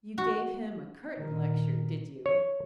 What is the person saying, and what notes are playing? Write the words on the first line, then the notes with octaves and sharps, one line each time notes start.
'You gave him a curtain lecture, did you?'
F#4
A#2 D#3
C#5